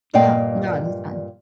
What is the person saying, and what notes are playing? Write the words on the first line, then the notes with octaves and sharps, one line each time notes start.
Yeah, no, that's fine.
G2 A#2 D5 D#5 F5 G5